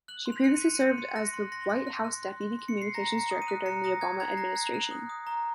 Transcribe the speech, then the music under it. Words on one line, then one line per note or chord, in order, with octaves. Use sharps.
She previously served as the White House deputy communications director during the Obama Administration.
F#6 F#7
C6
F7
F#6 C#7
D#7
F#6
D#7
C6 C#7
C6
F#6 A#6
C6
C6 A#6
C6
F#6
F#6
C6
C6
C6
C#7
C6 C7
A#5 A#6
A#5
C#7
D#6
D#7
F#6
A#5 C#7
D#6 A#6
F#6 G#6
A#5 G#6
C7
A#5 A#6
F#6
F#6
D#6
D#6
A#5